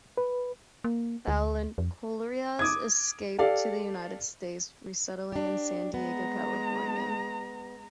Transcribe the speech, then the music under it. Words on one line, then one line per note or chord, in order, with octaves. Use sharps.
Blancornelas escaped to the United States, resettling in San Diego, California.
B4
A#3
D2
F2
D6 D#6 G#6
G4 A4 D5 F5
D4 G4
G#3 B3 A#5